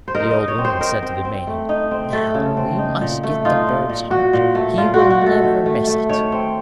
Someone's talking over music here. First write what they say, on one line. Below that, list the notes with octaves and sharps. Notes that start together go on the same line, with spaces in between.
The Old Woman said to the Maiden: 'Now we must get the bird's heart, he will never miss it.'
C5
D#4 A#4
D#4 D#5
C#5
C4
C5
D#4 A#4
C4
C4
A3
D#4
C4
A3 A4
C#3
C4
D#4
A#2
A3
D#4 F4
A#2
A#2
A#2 F#4
A#2
A3
A#2 F4
F#4
A#2
F#4
A3
A4
D#3
A3
A3
D#3 C#5
C4